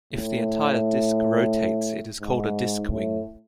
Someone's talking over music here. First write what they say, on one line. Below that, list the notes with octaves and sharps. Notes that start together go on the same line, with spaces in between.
If the entire disc rotates it is called a "disc wing".
A2
G#2
A2